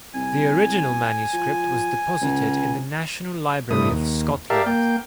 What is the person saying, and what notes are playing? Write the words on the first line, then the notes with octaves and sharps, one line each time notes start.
The original manuscript was deposited in the National Library of Scotland.
C2 G#5
F3
C#2
G2 C3 A3 E4 D#6
D#2
G4 A#4 D5 E5 F5 A5
A#3 G5